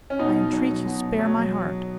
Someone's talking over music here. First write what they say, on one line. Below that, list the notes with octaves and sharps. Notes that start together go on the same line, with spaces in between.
I entreat you, spare my heart!
C#4
B2 D#4
F#3
B2
F#3